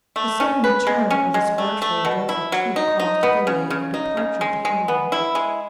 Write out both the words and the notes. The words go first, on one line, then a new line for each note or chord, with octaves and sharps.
The sudden return of this artful and dreaded chief caused a delay in the departure of the Huron.
A3
C#4
B4
G#3
C#4
G#3
A3
A3
B2
E4
F#3
D#4
D#4
B3
C#3
C#3
D#4
C#3
G#3
G#3
B3
E4
G#3